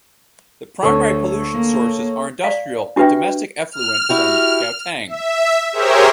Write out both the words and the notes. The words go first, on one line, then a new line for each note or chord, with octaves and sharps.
The primary pollution sources are industrial and domestic effluent from Gauteng.
D2 A4 C#5
A#3
D5 F5
D4 F#4 G4 B4 E5 G5
F6
E4 F#4 G4
E5
G4 G#4 A#4 C5 C#5 E5